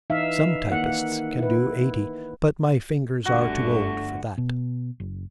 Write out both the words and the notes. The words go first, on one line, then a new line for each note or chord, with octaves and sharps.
Some typists can do eighty, but my fingers are too old for that.
E3 D#4 E5 F5
D#3 A#3 F#5
E4 B4
G1 D3 A3 F#4
B2
F#1